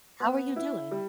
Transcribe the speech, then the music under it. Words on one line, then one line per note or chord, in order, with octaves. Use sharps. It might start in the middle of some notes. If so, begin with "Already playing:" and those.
How are you doing?
B3
E4
G3